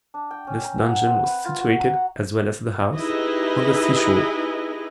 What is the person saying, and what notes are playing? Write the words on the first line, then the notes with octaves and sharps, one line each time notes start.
This dungeon was situated, as well as the house, on the seashore.
D4
G5
C#4
A#5
F#5
C4
B4
F4
F#4
A#5
F#5
D#4 E4 G4 G#4 B4 D#5